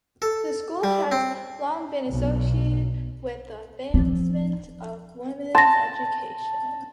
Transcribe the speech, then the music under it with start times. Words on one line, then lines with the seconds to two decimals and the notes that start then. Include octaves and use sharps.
The school has long been associated with the advancement of women's education.
0.22 A4
0.84 G3
1.12 C4
2.09 B1
3.94 F3 C4
5.55 A5 C6 A#6